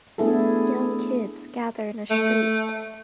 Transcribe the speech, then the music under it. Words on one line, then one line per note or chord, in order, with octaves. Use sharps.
Young kids gather in a street.
A3 B3 D4 E4 G#4 A4
A3